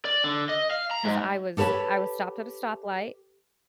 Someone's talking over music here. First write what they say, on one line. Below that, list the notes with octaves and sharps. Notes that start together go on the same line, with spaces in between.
'cause I was I was stopped at a stoplight,
D5
D3
D#5
F5
A#5
G#2
G4 A4 B4 C#5 A5